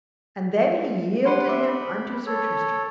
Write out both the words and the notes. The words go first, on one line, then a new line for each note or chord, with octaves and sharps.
And then he yielded him unto Sir Tristram.
G4 B4 C5 F#5 C6 C#7
E5 D6
B5
A4 C#5